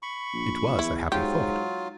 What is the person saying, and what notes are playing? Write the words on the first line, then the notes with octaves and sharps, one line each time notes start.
It was a happy thought.
B5 C#6
A#1
E2 E4
G#2 F#3 F4 G4